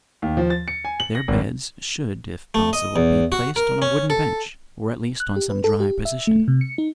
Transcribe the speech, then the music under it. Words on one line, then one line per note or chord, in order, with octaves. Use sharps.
Their beds should, if possible, be placed on a wooden bench, or at least on some dry position.
D#2
F3
A6
C#7
G#5
F#7
A#6
G#1
A3
D#5
E2
F#4
A#4
C#4
A4
F#6
G4
B4
A4
G4
E5
A3
C3
C#7
D#4